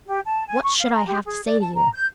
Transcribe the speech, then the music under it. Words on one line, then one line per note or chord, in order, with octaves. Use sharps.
"What should I have to say to you?"
G4
A5
G#5
C#6
F5
A#5
G4
G#4
D5
A5
A#5
G6